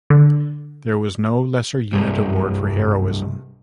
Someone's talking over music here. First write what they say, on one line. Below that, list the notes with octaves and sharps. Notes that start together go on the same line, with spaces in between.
There was no lesser unit award for heroism.
D3
C2 G2